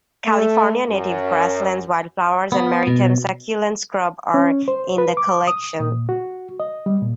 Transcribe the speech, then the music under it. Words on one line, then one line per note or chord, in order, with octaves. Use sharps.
California native grasslands, wildflowers, and maritime succulent scrub are in the collection.
A3
F#2
B3
B2
C#4
C5
B4
D6
D#6
A#2
F#4
D#5
G3
A#2